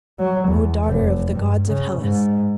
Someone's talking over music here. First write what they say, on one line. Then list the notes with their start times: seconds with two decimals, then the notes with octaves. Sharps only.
Oh, daughter of the gods of Hellas!
0.19 F#3
0.47 E2
0.85 F1
1.32 G2
1.67 C#3
1.99 G#2